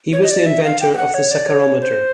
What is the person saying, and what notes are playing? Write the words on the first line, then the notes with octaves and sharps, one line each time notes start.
He was the inventor of the saccharometer.
C#5
D#5
D5
E5
F5
G5
G5
F#5
C#5
D5
C#5
C5